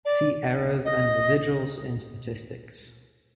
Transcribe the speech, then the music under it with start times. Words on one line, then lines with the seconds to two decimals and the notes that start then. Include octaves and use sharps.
See errors and residuals in statistics.
0.05 D5
0.85 D#5